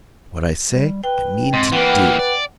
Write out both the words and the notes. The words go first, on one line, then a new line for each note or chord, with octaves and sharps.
What I say, I mean to do!'
G3
B4 G5
G#2 C4
E3 A#3 B4 F#5 G5
D5